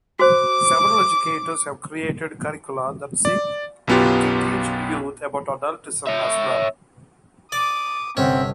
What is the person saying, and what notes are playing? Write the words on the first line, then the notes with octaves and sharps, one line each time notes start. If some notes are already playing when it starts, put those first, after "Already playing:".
Several educators have created curricula that seek to teach youth about adultism, as well.
F#4 C5 D6
D5
B1 F#2 B3 F4 G4
C#5 E5
D5 D6 D#6
G1 C3 C4 C#4 E5 F#5